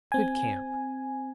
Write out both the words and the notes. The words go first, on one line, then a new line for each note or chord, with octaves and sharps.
Good camp.
C4 G#5